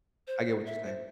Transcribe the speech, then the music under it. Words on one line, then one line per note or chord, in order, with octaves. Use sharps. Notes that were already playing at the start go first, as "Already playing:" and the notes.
I get what you're saying.
C5
E5
C5